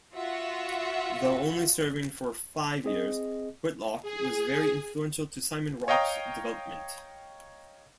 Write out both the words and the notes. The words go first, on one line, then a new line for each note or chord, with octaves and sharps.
Though only serving for five years, Whitlock was very influential to Simon's Rock's development.
F4 F#4 E5 F#5
C4 G#4 D#5
G#4
C#5 D#5 F5 G5 A#5 D#6